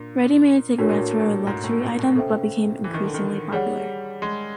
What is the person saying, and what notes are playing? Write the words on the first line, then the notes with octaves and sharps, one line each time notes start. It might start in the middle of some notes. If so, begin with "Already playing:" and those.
Readymade cigarettes were a luxury item, but became increasingly popular.
Already playing: A#2 D4
A2 D4 F#4 A#4 C#5
A#2
A2
A#2
A2
G#2
A2
A#2
B2
C#3 A4 C5 E5 G5
E3
D#3
D3
D#3
G3 G#4 C#5 F#5
G#3